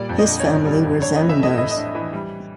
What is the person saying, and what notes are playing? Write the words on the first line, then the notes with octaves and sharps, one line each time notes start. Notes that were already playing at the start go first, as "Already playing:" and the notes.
His family were zamindars.
Already playing: A#2 G3 D5
F2
D#5
D3
C#5
G1 D5
G3
F2
D4 C#5
D#5
E3
E5
A3 D#5
A2 D#5
D#5
D4
E3
G3